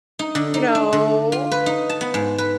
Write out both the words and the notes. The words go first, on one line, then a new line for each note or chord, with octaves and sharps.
you know
D#4
D3
D#4
D4
D3
F4
B4
D#4
A5
B3
G#2
B4